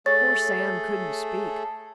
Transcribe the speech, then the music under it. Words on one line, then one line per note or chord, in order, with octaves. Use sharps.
Poor Sam couldn't speak.
A3 G#4 A4 C#5 A6